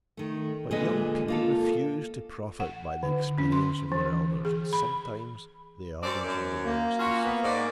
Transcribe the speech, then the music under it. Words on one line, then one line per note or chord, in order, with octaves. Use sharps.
But young people refuse to profit by the experience of their elders, and sometimes the elders are the ones to suffer.
D#3 A3
A#2 D3 G#3 G#4 B4 D#5
A#3 F4 A4
F#5
D3
C#4
C6
E3
G#4
B5
F#2 C4 D5
F#2
A#3
C#4 F4 F#4
B3
G#2 D5